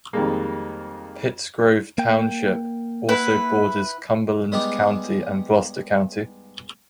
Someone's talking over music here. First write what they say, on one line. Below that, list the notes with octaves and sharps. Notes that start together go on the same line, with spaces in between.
Pittsgrove Township also borders Cumberland County and Gloucester County.
F2 D#3 G3 G#3 A#3
A#3 G5
E4 B4 F#5
G3 G#3 B3 D#4 G4 G#4